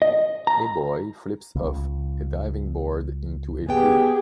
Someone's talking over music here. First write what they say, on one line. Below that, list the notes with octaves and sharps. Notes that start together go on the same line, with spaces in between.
A boy flips off a diving board into a pool.
D#5
A#5
C#2
B3 G4 G#4 G5